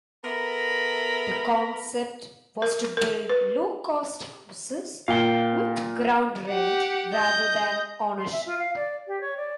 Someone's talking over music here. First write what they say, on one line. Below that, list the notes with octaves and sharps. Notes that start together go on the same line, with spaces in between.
The concept was to build low-cost houses with ground-rent rather than ownership.
B3 A4 A#4 E5 A#5 B5
A#4
A#4
B4
A#2 F5 G5
G4 F#5
D#5 G6
C6
E5
F4
F5
D5
G4
C#5
D5